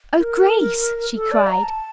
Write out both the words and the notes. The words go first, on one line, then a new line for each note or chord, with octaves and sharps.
"Oh, Grace," she cried.
A#4
A4
D5
A#5
A5